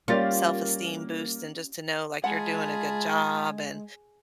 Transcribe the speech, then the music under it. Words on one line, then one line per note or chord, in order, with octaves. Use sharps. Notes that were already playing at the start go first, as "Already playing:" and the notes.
self-esteem boost and just to know, like, you're doing a good job and
G3 A#3 C#4 F4 G4 D5 A6
G#3 F4 G#4 F#5 A5 B5